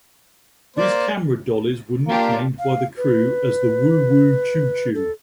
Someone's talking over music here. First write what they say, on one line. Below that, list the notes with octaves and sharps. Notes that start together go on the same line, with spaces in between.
These camera dollies were nicknamed by the crew as "the Woo-Woo Choo-Choo".
A#3 C5 D5
A#3 D4 F4 G4
F5
B4
A4